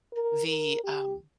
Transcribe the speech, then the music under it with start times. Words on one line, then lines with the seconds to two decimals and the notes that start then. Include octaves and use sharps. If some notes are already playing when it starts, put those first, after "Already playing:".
the, um,
0.13 A#4
0.48 A#4
0.84 G4